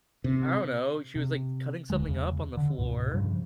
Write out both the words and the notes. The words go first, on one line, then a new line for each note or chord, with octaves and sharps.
I don't know, she was, like, cutting something up on the floor,
C3
C3
D1 E2 D3 G#3
E2 C#3
D3
C#2 G#2 B2
G2 C#3 F3 G3